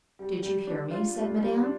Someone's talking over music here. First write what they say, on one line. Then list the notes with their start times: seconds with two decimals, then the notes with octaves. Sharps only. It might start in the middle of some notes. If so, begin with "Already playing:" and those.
"Did you hear me?" said Madame.
0.19 G3
0.43 G3
0.67 D4
0.91 F4
1.16 G3
1.40 G3
1.63 D4